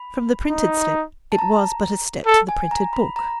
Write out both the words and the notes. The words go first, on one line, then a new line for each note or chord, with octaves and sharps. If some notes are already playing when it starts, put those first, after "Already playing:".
From the printed slip it was but a step to the printed book.
Already playing: B5
D#4
A5
A#5
A4
G#5
A#5
B5
A#5